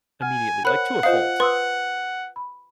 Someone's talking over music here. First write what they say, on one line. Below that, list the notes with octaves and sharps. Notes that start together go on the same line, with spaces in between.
immediately- like, to a fault,
F#5 G#5 F6
A#4 C5 C#5 F#5 B5 F#6
F4 C5 D#5 F5 D#6
B4 C6 D#6 E6
B5